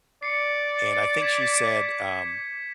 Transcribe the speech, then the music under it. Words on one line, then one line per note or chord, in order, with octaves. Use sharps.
and I think she said, um
D5 C7 C#7
G#6 B6 E7